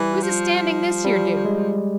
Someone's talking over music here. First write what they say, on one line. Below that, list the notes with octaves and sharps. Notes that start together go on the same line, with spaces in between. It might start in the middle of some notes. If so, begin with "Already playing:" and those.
Who's astanding this here do?
Already playing: E3 G3
F3
G3
G#3